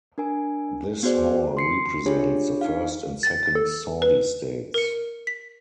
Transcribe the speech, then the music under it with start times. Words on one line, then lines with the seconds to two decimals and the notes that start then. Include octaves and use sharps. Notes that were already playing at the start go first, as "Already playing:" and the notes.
This hall represents the first and second Saudi States.
0.18 D4 A#4 G#5
1.03 B3 F#4 G#4 C5 D5
1.57 C6 C7 C#7
2.06 D4 F4 G4 G#4 C#5
2.61 D#4 F5
3.23 A6
3.55 A4
4.02 B4
4.74 A#4 C#7
5.27 B6